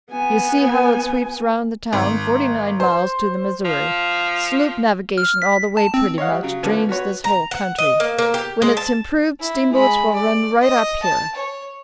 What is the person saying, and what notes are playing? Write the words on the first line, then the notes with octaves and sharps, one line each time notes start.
You see how it sweeps round the town--forty-nine miles to the Missouri; sloop navigation all the way pretty much drains this whole country; when it's improved steamboats will run right up here.
B3 G#5
G#1
C5
F3
F6
B6
A5
C4
C#5 D#5 F5 F#5
G3
C#3 F#3
D3 F3 B3 C#4
F#4 B4 C#5
A#5
F#5
D#5
A#3
A#3
G4
G#3
A5
E4
G#3 B5
D5
D#5
A5
C#5